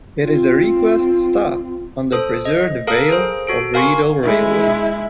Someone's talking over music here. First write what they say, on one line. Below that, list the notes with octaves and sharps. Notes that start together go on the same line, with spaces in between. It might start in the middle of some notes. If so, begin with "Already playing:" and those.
It is a request stop on the preserved Vale of Rheidol Railway.
C4 F4
A4 C5 D#6
D#5
A4 A#4 F5 D#6
G#4 C5
F#4 A4 D7
A#4 F5 G#5 C6 C#6
G#3 E4